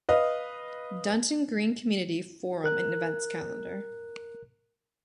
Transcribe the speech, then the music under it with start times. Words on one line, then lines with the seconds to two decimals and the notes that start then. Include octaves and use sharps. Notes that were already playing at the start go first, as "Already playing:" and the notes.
Dunton Green Community Forum and events calendar.
0.09 B4 D#5 F5
2.64 A#4 F#6